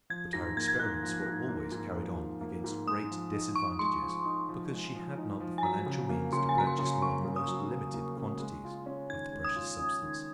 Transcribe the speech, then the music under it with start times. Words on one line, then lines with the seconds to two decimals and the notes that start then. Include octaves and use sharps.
But her experiments were always carried on against great disadvantages because she had not the financial means to purchase more than the most limited quantities of the precious substance.
0.10 F3 G#6
0.33 G#2 A#6
0.57 A#3 G#6
0.68 G#6
0.79 G#2 F#6
1.02 F3
1.26 G#2
1.48 A#3
1.72 G#2
1.95 F3
2.18 G#2
2.41 A#3
2.64 G#2
2.87 G#3 D#6
3.10 F3
3.33 D#4
3.56 F3 C#6
3.79 G#3 C6
4.02 F3
4.25 D#4
4.49 F3
4.71 G#3
4.94 F3
5.17 D#4
5.40 F3
5.58 G#5
5.63 F#3 A#5
5.86 C#3
6.09 A#3
6.32 C#3 C6
6.49 G#5
6.56 F#3 A#5
6.67 C6
6.79 C#3
7.02 A#3 C#6
7.25 C#3
7.36 D#6
7.48 F#3
7.71 C#3
7.94 A#3
8.17 C#3
8.40 G#3
8.64 F4
8.86 C#4
9.09 D#3 G#6
9.33 G#3
9.44 D#6
9.55 F4
9.79 C#4
10.02 D#3